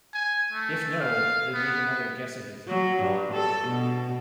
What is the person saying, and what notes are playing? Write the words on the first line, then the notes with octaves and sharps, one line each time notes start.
If no, then make another guess of the key.
G#5
A3
F5
B3
F#3
G2
A4
B2